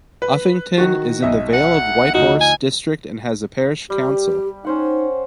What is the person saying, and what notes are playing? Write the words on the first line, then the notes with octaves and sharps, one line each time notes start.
Uffington is in the Vale of White Horse District and has a parish council.
B4
D#3 F#4
B1 D#5 E5
F#5
D2 F3 D#4 F#4
G#5
G3 G4
C#4 D#4 C5 F#5